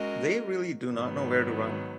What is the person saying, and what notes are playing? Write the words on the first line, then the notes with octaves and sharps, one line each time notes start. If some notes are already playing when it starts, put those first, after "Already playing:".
They really do not know where to run.
Already playing: G#3 C#4 F#4 A#4 D#5
G#2 D#3 F#3 B3